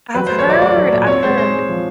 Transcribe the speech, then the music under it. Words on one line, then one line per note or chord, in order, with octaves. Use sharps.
I've heard, I've heard.
F#3 B4
A3 C5
C#5
F#3 D5
A3 D5
F#3
A#2
C4 C#5
G#3 C5
G#3 C5
G#3
F3